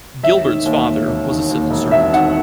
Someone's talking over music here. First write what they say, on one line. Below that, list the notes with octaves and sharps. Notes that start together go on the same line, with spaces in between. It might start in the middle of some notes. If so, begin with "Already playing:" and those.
Gilbert's father was a civil servant.
E1 E5
D#3
D#2
E1
E1
D#3
D#2
E1
E1 E5
D#3 F#5